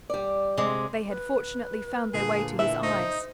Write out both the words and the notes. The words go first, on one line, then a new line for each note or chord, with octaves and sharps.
They had fortunately found their way to his eyes.
G3 D5
C3 G#3
B4
A#2 D3 G#4
E3 E5
D#4 C5